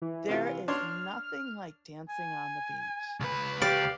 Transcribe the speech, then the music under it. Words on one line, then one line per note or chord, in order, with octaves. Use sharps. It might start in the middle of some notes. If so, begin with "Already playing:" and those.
there is nothing like dancing on the beach.
E3
C3 F4
D4 C#5 C6 F6
G#5
C#2 B4
G4 D5 F5